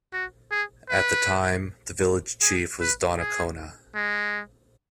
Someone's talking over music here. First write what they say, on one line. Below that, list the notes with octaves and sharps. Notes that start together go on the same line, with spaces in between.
At the time, the village chief was Donnacona.
F#4
G#4
B4
G#4
B4
G#4
G#3